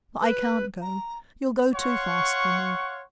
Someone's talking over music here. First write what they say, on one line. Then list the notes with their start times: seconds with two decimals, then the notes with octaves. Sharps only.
"But I can't go; you'll go too fast for me."
0.21 B4
0.81 A#5
1.75 C#5 F5 F#5 C6 C#6